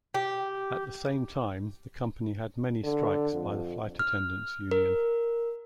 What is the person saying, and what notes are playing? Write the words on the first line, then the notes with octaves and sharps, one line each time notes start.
At the same time, the company had many strikes by the flight attendants' union.
G4
D3
F2
F6
A#4